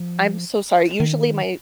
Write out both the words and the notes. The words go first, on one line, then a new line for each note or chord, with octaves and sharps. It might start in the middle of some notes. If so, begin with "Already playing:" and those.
I'm so sorry, usually my
Already playing: F3
D#3